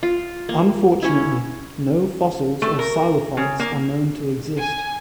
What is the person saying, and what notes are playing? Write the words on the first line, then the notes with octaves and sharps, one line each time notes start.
Unfortunately, no fossils of psilophytes are known to exist.
F4
A#3
C#4 E4
A3
A#4
C#3
A#3
G#5